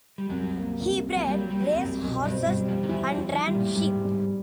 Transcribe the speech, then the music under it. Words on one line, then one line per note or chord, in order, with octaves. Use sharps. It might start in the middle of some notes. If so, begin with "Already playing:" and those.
He bred racehorses and ran sheep.
G3
C2 F#2 F#3
A#3
C2
F#3 A#3
G3
F#3
A#3
G3
F#3
C2 G3
F#2 F#3
F#2 B2 F#3
G2 G3
C4
G2 G3
G3
F2 F3
D#3
E2 E3 E4
F2 F3
E4
D#3
G3
A#2
A2
G#2 G3
G3